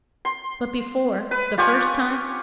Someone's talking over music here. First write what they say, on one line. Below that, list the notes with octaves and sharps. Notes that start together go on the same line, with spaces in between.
But before--the first time?
C6
B4
F4 G4 C#5 G#5